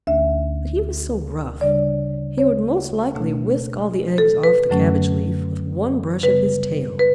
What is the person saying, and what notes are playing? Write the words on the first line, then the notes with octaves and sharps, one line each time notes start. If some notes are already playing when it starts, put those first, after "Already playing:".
But he was so rough!--he would most likely whisk all the eggs off the cabbage-leaf with one brush of his tail.
D2 D3 A3 C#4 E5
C#3 G3 D4 D5
C#5
B2 A3 D4
A4
B4
F#2 D3 F#3 A3 C#4
C#3 G3 B3 B4
B4